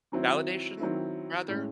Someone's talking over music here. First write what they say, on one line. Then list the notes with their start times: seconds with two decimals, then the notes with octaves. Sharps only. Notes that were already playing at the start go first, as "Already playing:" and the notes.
Validation rather?
0.12 D#3 F#3 C4 E4
0.80 D#3 F#3 C4 E4
1.48 A2 G#3 C#4